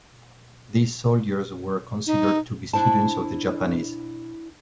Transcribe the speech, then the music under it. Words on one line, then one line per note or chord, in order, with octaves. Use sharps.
These soldiers were considered to be students of the Japanese.
D#4
D4 E4 C5 A5